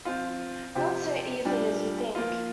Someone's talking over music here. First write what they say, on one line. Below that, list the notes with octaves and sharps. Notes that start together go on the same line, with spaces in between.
Not so easily as you think.
F3 C4 F4
C3 F3 C4 G4
A#2 G3 D4 G4
F3 A#3 F4